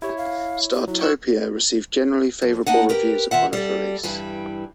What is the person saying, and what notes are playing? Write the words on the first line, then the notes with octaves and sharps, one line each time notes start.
"Startopia" received generally favorable reviews upon its release.
E4 G4 C#5
F5
G4
F#3 E4
C#6 E6 F#6
F2
A#3 D4 D#4 F#5
G4 A#4 B4
D#3 F4 E5 F#5
G3 A4
G2 E3 G3 G4